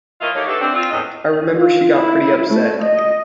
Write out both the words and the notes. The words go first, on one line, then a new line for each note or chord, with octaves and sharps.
I remember she got pretty upset.
E3 A#3 F4 C#5 D#5 E5
D#3 A3 A#3 D#4 G4 C#5
D4 F#4 G4 A4 B4 E5
C4 D4
C4 F4
E2 A2 D#5
F4
E4
A3
D#5